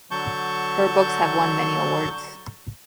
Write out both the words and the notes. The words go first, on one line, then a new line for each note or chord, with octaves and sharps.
Her books have won many awards.
D3 F#3 A5 C#6 G6